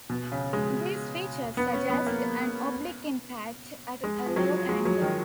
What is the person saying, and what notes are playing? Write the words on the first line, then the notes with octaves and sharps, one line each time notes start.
These features suggest an oblique impact at a low angle.
B2
C#3
G#3
B3
C#4
B3
A#3
G#3
F3
F#3
G#3
F#3
D#3